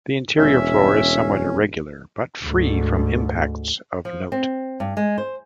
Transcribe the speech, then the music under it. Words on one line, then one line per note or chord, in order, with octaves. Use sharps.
The interior floor is somewhat irregular, but free from impacts of note.
E1 C#4 E5
D2 G#2
F3
C4
G2
G#3
C5